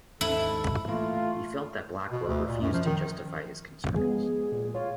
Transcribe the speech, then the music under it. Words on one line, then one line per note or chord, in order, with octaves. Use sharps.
He felt that Blackwell refused to justify his concerns.
D#2 G#2 E4 A4
A2 E3 A3 A#3 F4
B2
D2
A#2
F#2
F3
D#3
F3 G#3 B3 G#4
A#2
F4 C#5